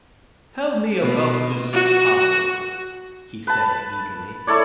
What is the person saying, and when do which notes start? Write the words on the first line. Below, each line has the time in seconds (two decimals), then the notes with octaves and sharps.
"Tell me about this tower," he said eagerly.
1.00 B2
1.73 F#4
3.47 B4 A5
4.47 E4 A4 C#5 D5